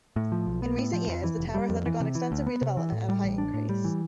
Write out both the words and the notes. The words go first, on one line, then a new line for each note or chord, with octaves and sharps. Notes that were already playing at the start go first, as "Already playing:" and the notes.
In recent years, the tower has undergone extensive redevelopment and a height increase.
A2
F3
B1
B3
A2
F3
F2
E3
F1
G3
F2
E3
C3
E3
D2
B3
C3
E3
A2
G3
A1
D4
A2
G3
E3